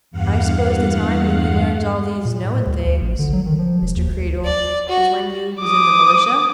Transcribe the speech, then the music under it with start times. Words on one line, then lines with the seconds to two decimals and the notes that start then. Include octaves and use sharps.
"I s'pose the time when you learned all these knowing things, Mr. Creedle, was when you was in the militia?"
0.11 E2 G2 F5 F#5
2.25 A#2
2.44 A2
2.66 D2
2.87 D2
3.02 A1
3.19 D3
3.33 F#3
3.46 D#3
3.59 F3
3.82 E1
3.96 D#2
4.08 D2
4.45 D5
4.89 F#4
5.60 D6 D#6